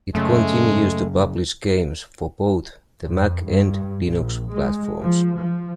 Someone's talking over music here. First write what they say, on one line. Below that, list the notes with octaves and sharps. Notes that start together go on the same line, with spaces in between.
It continues to publish games for both the Mac and Linux platforms.
F#2 C#3 G#3 A3
F2
G2
A#1
G#3
F3
F3